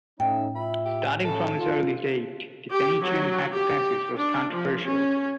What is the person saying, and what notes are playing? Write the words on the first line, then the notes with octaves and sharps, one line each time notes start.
Starting from this early date, the Penutian hypothesis was controversial.
A2 A3 C#4 D#4 E5 G5
F4 E5 B5
G4
C#3 A4
F4
G4
F#3
G4
D4
F3
C#4